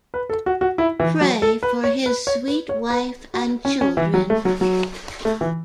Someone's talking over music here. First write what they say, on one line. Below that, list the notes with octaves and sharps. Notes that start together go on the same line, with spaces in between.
Pray for his sweet wife and children.
B4
A4
F#4
F#4
E4
E3
F#3
A4
B4
C#5
B4
C#5
B4
C#5
B4
F#4
C#4
C#4
E3
F#3
A3
F#3
F#3
A3
E3